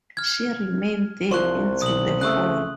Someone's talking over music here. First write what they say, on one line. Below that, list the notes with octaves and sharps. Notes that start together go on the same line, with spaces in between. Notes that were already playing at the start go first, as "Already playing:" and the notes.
She remained there into the fall.
F6 G#6
C2 F3 C6 C#6 F#6
B1 D#6 F#7
C#3 A3 D#6 F#6